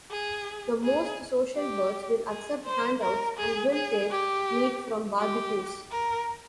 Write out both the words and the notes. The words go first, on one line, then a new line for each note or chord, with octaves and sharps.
The most social birds will accept handouts and will take meat from barbecues.
G#4
G#4
G4
G#4
C5
A#4
G#4
G#4
G4
G4
A#4